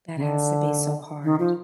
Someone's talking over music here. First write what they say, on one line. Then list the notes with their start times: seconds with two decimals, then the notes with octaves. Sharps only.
That has to be so hard.
0.16 C#3
0.22 D3
1.24 D#3
1.40 F3